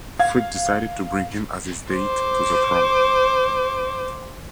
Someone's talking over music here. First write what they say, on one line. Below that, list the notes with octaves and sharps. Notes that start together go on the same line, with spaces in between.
Fricke decided to bring him as his date to the prom.
F5 G#6
C5 D6